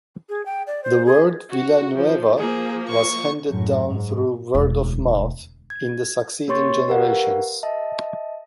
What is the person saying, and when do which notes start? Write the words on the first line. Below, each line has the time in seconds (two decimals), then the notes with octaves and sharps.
The word Villanueva was handed down through word of mouth in the succeeding generations.
0.29 G#4
0.46 G5
0.67 D5
0.84 C5
1.06 G#4
1.50 F#4
1.98 F3
2.39 F3 A#3 G#4
2.89 C#6
3.50 F#2 A2
3.87 G#2
4.54 E1 D2
5.70 G#6
6.48 A#3 G4 C#5 C6 C#6 A6
6.88 G4 A#4 B4 F5 F#5
7.63 D#5 E5 A5